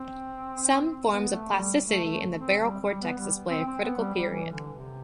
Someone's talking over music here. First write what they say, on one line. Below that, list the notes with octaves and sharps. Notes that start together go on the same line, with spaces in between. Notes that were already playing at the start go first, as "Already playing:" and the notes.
Some forms of plasticity in the barrel cortex display a critical period.
Already playing: C4
B3
A3
G3
A3
A3
C4
G3
G3
B3
G3
C4
C4
B3
G3
G3
E3
D3
C3